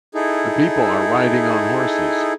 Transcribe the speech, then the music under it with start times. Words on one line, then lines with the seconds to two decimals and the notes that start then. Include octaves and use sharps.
The people are riding on horses.
0.15 D#4 E4 G#4 A4